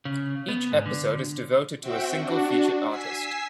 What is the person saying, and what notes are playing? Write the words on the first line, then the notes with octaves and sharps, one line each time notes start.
Each episode is devoted to a single featured artist.
C#3
B3
G#2
D3
C4 F#4 E5 G5
D4 F#4
G#5 E6 B6 C7